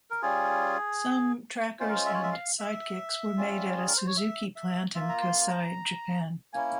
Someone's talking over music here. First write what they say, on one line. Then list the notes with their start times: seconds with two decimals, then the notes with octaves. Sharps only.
Some Trackers and Sidekicks were made at a Suzuki plant in Kosai, Japan.
0.10 A#4
0.22 G3 C#4 F4 G#4
1.79 G#3 C#4 F4 C5
1.88 A#4
1.96 C5
2.06 E5
2.14 C#5
2.23 E5
2.33 F5
2.59 E5
3.38 G3 C#4 F4
3.77 G#4
3.87 A#4
3.97 C5
4.07 C#5
4.17 E5
4.56 E5
4.95 A#3 F4 E5
5.09 A#5
5.22 C6
5.48 A#5
6.53 A#3 C#4 E4 G#5